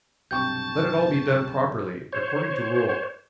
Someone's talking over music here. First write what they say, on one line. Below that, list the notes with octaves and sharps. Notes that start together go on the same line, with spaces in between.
Let it all be done properly, according to rule.
B1 G2 C3 G5 A5 C#6 G6
C5 C#5